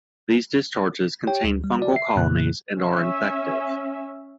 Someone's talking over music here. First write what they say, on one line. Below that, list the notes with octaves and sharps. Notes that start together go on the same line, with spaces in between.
These discharges contain fungal colonies and are infective.
G4 C#5 G5
D2
G3
F#4 D5
E5 C7
F2 A#2 C#3 A#3 F#6
C#4 E5